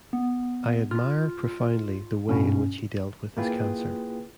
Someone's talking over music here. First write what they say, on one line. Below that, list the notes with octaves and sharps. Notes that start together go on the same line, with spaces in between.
I admire profoundly the way in which he dealt with his cancer.
B3
F4 F6
G2 B2 C#4
A#3 E4 F4 G#4 B4 G5